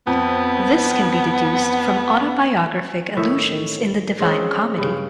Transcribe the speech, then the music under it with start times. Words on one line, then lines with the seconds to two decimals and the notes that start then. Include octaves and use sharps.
This can be deduced from autobiographic allusions in the Divine Comedy.
0.07 F2 B3
3.17 A2 D#3 C#5 E5
4.20 G#3 C4 C#4 G#4
4.78 G2 C#3